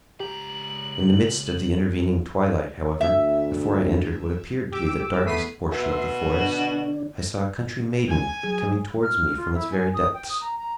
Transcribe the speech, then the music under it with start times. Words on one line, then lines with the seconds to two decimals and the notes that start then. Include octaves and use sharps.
In the midst of the intervening twilight, however, before I entered what appeared to be the darkest portion of the forest, I saw a country maiden coming towards me from its very depths.
0.20 C#2 G4 A#5 F#7
3.01 D2 E5
4.71 G4 D6 E6
5.24 E2 A3 B3 B6 C7 D#7
5.72 B2 E5 C6
6.34 D3 D4
8.09 G#5
8.43 F#3 G#4
9.02 F6
9.37 F4
9.54 E4
9.71 G#5
9.94 D#6
10.14 G5
10.29 D#6
10.41 A#5
10.59 A#5